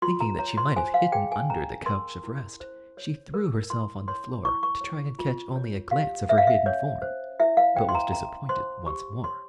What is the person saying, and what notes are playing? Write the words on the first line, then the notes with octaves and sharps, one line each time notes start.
Thinking that she might have hidden under the couch of rest, she threw herself on the floor to try and catch only a glance of her hidden form, but was disappointed once more.
F4 C6
A#5
C#5 A#5
C6
C5 G#5
F5
G#4 G5
G#5
C#4 A#5
A#4 C6
E4
C5
C#5
A#4
E4 C6
C#5 C6
E4 C#6
C#6
C#5
F4
C#5
G4 F5
C#5 E5
F5
E5
C#4 C#5
C5
E4 E5
F5
C5 G5
C6
A#5
C#4 A#5
C5 C6
G4 C#6
C#5 C6